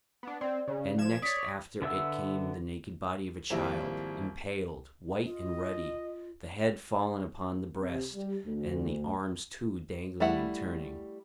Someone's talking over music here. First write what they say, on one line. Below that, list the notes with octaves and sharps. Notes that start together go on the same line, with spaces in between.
And next after it came the naked body of a child, impaled, white and ruddy, the head fallen upon the breast, and the arms, too, dangling and turning.
B3 D4
C4 D5
C#3
F3 G#6 E7
C#5 D5 D#6 B6
D3 B3 E5 E6
G#1 F3 G3 A#3 E4 E5
F4 D#5
C3
G3
D2
G3 A3 E4 F#5